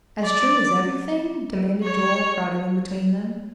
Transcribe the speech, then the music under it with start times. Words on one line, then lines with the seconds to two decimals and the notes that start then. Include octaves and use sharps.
"As true as everything?" demanded Joel, crowding in between them.
0.23 D5
1.83 C#5